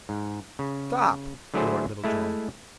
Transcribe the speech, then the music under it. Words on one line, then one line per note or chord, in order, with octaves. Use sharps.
"Stop!" roared Little John.
G#2
C#3
D3 F#3 A3 E4 G#4 C5
G#3 A3 E4